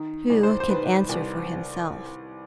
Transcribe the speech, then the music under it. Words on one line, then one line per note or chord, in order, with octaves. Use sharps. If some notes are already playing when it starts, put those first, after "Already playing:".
Who can answer for himself?
Already playing: D#3
C2
C5
C5
D#3 B4
C2